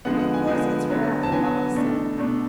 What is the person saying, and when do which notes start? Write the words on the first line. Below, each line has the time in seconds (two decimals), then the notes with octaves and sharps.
Of course, it's rather lonesome.
0.05 D3 F3 G#3 B3 F#5
0.19 F#5
0.34 G#5
0.47 D3 F3 G#3 B3 G#5
0.90 D3 F#3 B3
1.23 A5
1.32 D3 F#3 B3 G#5
1.75 B2 A3 D4
2.17 B2 A3 D4